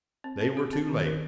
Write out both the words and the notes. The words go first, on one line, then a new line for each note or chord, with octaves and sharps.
They were too late.
C4
C4
G4
C4
D#3
A#4